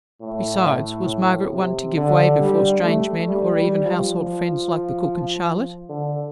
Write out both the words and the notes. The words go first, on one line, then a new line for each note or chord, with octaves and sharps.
Besides, was Margaret one to give way before strange men, or even household friends like the cook and Charlotte!
A2
C3
D3
G3
A3
G3
G3
F3
F3
D3